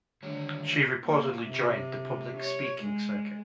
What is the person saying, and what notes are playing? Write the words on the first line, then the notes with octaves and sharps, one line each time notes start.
She reportedly joined the public speaking circuit.
D3 D#3 G3 A3 C#5
A#3
C3
C#5
G#3